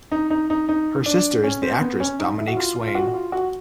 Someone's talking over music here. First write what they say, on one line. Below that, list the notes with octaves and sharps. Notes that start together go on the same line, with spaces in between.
Her sister is the actress Dominique Swain.
D#4
D#4
D#4
D#4
D4
C#4
C4
B3
C#4
D#4
E4
F#4
F4
F4
F4
F#4
F#4
F4
F#4